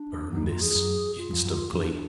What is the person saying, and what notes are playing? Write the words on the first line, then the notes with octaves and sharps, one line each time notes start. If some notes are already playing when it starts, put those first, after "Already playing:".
Burn this instantly.'
Already playing: D4
F#2 D#4
F2
F4
F#2
F2 G#4
F#2
F4
F2
F#2
F2 D4